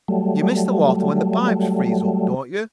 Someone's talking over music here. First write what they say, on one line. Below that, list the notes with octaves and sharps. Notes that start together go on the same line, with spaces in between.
You miss the water when the pipes freeze up, don't you?
F#3 G3 A3